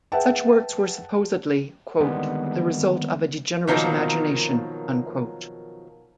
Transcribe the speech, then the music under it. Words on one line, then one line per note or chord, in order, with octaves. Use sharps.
Such works were supposedly "the result of a degenerate imagination".
G#4 B4 E5 F#5 G5 A5
D3 D#3 G3 G#3 B3 C4
B2 D#3 F3 F#3 A#3